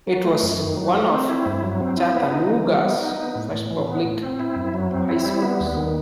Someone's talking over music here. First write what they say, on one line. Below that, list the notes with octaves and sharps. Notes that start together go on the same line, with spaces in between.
It was one of Chattanooga's first public high schools.
F#3
A3
F#2
D#3
F#3
A3
C4
E4
G2
F#3
C4
E4
B3
D#4
E3
G3
B3
D#4
B3
A2
A2
E3
B3
A2
C4
E4
F#2
F#3
C4
E4
G3
B3
D#2
D#3